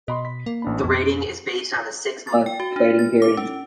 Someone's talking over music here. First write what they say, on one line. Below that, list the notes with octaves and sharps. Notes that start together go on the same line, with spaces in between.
The rating is based on a six-month trading period.
B2 D#5 B5 C6
B6
A#3
A1 D4 B5
F2 B2
A6
G5
F#4
D4
A6
D6
C#4